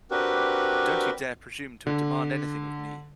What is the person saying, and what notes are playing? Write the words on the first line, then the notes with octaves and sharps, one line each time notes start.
Don't you dare presume to demand anything of me!
C4 D4 F#4 G4 A#4 B4
D3